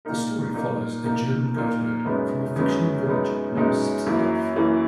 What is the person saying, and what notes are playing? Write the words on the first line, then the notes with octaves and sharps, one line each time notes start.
The story follows a German goatherd from a fictional village named Sittendorf.
A#2 A#3 D#4 A#4
A#2 A#3 D#4 A#4
A#2 A#3 D#4 A#4
A#2 A#3 D#4 A#4
F#2 C#3 G#3 B3 D#4
F#2 C#3 G#3 B3 D#4
F#2 C#3 G#3 B3 D#4
F#2 C#3 G#3 B3 D#4
F#2 E3 A#3 E4
F#2 E3 A#3 E4